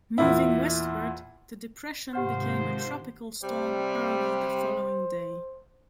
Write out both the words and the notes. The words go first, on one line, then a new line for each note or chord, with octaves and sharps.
Moving westward, the depression became a tropical storm early the following day.
E2 A#2 E4
G#2 C3 D#3 F3 G4 C5 F#5 F6
C3 G3 C5